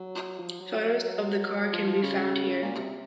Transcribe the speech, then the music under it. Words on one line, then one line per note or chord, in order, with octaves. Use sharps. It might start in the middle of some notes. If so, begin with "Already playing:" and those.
Photos of the car can be found here.
Already playing: F#3
F3
F#3
F3
F3
C#3
A#2
C3